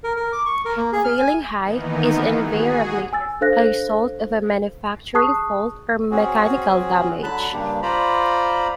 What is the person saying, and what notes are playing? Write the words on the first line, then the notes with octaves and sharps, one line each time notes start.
Failing high is invariably a result of a manufacturing fault or mechanical damage.
A#4
A#4
D6
C#6
A#4
A#3
G#4
F6
G#5
D#3 E3 A#3 B3 D#4
F#4 G#4
G#5 E6 A6
D4 A4 C5 F5 F#6 A#6
G#4 A5 C#6 D#6 F#6 C7
C4 C#4 F#4 G#4
D3 F#3 A5 B5 F#6
G2 C#3 A#3 D4 G4
F4 C5 D5 A#5 B5